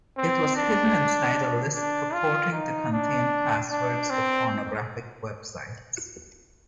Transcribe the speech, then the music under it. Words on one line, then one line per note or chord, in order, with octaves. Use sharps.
It was hidden inside a list purporting to contain passwords to pornographic websites.
C4
D4
D4
F4
D#4
D4
D4
C4